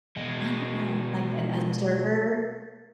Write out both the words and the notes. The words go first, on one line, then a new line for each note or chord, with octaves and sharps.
I don't know, like an observer?
B2 G#3